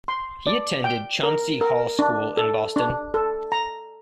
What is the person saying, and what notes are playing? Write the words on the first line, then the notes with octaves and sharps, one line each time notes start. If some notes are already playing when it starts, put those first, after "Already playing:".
He attended Chauncy Hall School in Boston.
C6
D5
G5
A#4
A#4
D4
A4
D4
A4
A#5